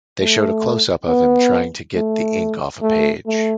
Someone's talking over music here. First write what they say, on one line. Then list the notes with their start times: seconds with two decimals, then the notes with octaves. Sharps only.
They showed a closeup of him trying to get the ink off a page.
0.20 A3
1.08 B3
1.95 A3
2.82 A3
3.26 A3